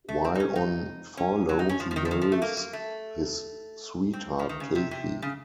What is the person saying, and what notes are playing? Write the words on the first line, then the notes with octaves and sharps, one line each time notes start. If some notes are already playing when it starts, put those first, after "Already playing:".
While on furlough he marries his sweetheart Kathy.
A3
C4
D#4
C#4
D#4
C#4
F#3
D#4
C#4
F3
F3
D#3
F3
D#3
F3
A3
A#3
A#3
A3
C4
F3
D#3
C#3
C3
C3
C#3